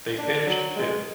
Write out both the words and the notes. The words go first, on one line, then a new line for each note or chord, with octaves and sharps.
They finished fifth.
D4
F#3
G#3